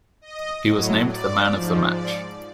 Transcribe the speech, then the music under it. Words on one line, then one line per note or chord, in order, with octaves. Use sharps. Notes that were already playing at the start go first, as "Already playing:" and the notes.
He was named the Man of the Match.
D#5
A2 F#3
D5
G#2 F3
D5